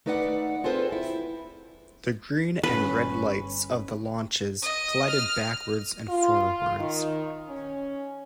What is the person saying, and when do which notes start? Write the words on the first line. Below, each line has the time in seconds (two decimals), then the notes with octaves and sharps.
The green and red lights of the launches glided backwards and forwards.
0.06 A3 D#4 B4 D5 D#5 F#5
0.64 C4 F4 G#4 A4 B4 C5
0.92 E4
2.63 G1 C#4 B4
4.62 D#5
5.10 F6
6.09 F4
6.78 D#3
7.47 C#4